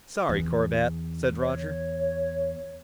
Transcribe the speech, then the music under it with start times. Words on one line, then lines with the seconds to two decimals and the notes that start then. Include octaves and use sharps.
"Sorry, Corbett," said Roger.
0.29 E2
1.40 C#5